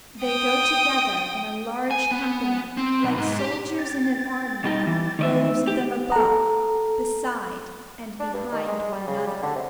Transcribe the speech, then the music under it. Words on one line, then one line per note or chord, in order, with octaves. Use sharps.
They go together in a large company, like soldiers in an army, rows of them above, beside, and behind one another.
G5 D#6
G#5
B3
C4
B1
G#2
G4
G5 A6
B2 G3 D#4
E3
D#3 A3 D#4 D5 E5
G4
A4 A#5
D4
G2
D#3
G#3
G#3
G3
C#3
G3
D3
C3